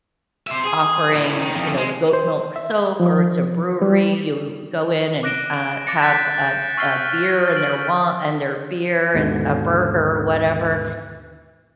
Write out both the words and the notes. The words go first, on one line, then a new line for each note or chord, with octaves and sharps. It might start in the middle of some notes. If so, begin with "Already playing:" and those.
offering, you know, goat milk soap or it's a brewery, you go in and, uh, have a t a beer and their wi and their beer and a burger or whatever.
C5 E5
G#4
E2 A2
D#3
F2 D#3
G#3
C5
E5
F3
G3
D6 F#6 A#6 D7 E7 G7
D6 A6 A#6 C#7
F#6 G6 A6 B6 E7
C#6 E6 F6 A6 C7 G7
F6 D7 F#7
D#2 G#2 B2 D3